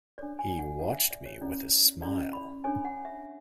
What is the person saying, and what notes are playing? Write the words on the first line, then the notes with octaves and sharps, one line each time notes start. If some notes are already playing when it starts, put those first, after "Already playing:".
He watched me with a smile.
D4 A4 C#5 D5
G#5
F#5
D4 A4 C#5 F#5
E5
D5
C#5
C#4 E4 A4 D5
C#4 E4 A4 D5
B5
D4 A4 C#5 G#5
F#5
E5